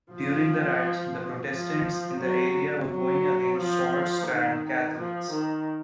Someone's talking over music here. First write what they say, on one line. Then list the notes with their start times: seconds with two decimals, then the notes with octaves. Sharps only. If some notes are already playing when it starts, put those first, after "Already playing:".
During the riots, the Protestants in the area were going against Short Strand Catholics.
0.13 F3
1.52 F3
2.20 F#3
2.90 F#3
3.59 F3
4.28 D#3
4.97 F3
5.31 D#3